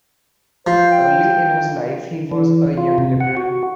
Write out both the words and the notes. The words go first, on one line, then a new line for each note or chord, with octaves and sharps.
Early in his life, he was a Young Liberal.
F3 C5
G5
E3
F4
C3
F#5
F#4